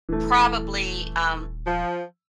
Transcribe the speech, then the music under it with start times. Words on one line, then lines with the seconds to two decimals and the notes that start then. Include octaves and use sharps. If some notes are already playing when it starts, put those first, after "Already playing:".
probably, um,
0.09 D#1 E3 A3
1.67 F3